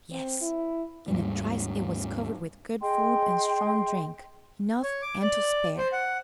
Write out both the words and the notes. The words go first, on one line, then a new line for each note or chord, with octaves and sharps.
Yes! in a trice it was covered with good food and strong drink, enough and to spare.
C4
E4
D#2 G#2 G3
G#4 D#5 G5 C6
C#5
D6
D5
C5
F#5